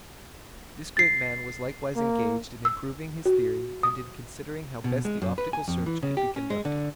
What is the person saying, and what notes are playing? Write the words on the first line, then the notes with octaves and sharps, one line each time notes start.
This great man was likewise engaged in improving his theory and in considering how best the optical search could be conducted.
A6 C7
A#3
E6
F#4
D#6
B2
G#3
F#2
B4
G#5
F2
E3
C#3
G4
C#4
G#3
D3